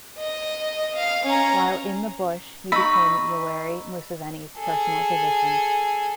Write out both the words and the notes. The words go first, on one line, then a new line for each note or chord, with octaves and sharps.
While in the bush, he became Yoweri Museveni's personal physician.
D#5
F5
C#4 A#5
D#4 B5 C#6 E6
G#4 A4